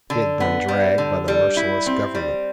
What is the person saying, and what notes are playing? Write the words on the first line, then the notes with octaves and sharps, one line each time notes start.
He had been dragged by the merciless government.
D3
B3
G3
D3
G3
E4
C4
G3